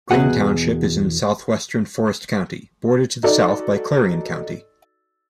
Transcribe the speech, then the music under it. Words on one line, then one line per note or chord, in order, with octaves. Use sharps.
Green Township is in southwestern Forest County, bordered to the south by Clarion County.
E2 B2 E3 F#4 G#4 F#5
D#4 F#4 A4 D5